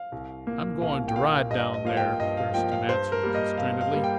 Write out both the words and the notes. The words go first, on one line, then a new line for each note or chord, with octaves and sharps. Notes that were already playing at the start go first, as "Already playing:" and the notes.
"I'm going to ride down there," Thurston answered constrainedly.
Already playing: F5
C2
A#2 A#3
C2 F5
G5
A#2 A#3 F5
G2 D#5
D#5
F3 A#3 F5
G5
G2 D#5
F5
F3 A#3 G5
F5
G2 C5
A#4
G3 A#3
D#5
G2 F5
F5
G3 A#3
G5